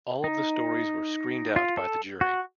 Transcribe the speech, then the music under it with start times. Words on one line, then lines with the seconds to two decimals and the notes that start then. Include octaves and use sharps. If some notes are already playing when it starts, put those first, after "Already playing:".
All of the stories were screened out by the jury.
0.24 D#4
1.56 F4
1.77 A4
2.21 F#4